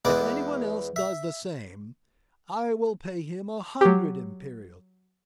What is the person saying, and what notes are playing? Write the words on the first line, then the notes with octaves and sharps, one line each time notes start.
If anyone else does the same, I will pay him a hundred imperials.
E2 G#3 B3 D6
E5
F#3 G4